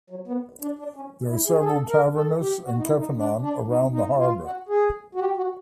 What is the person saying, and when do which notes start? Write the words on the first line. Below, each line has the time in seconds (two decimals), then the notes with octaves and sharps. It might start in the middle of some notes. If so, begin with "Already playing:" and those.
There are several Tavernas and Kafenons around the harbour.
0.10 F#3
0.28 B3
0.62 D4
0.79 D4
0.96 C#4
1.29 E4
1.47 G#4
1.60 G#4
1.64 A4
1.89 A#4
2.15 A4
2.40 G4
2.65 F#4
2.78 D#4
2.83 E4
2.99 D#4
3.17 D4
3.41 D4
3.67 D#4
3.93 D#4
4.18 F4
4.43 F#4
4.69 G#4
5.15 F#4
5.20 G4
5.37 F#4